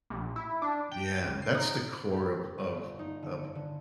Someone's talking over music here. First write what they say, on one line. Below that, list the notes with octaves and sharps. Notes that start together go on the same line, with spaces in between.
Yeah, that's the core of of of
A#1
E4
D4
G5
C#2
C7
D#4
D7
G4
G1
D#4
D3
C#7
D3